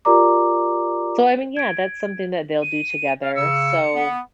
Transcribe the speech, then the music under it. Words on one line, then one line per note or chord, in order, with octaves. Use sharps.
so I mean, yeah, that's something that they'll do together, so
F4 G4 A#4 D5 A#5 D6
G#6 D7
D#7
F5
C#3 E6 C#7
B3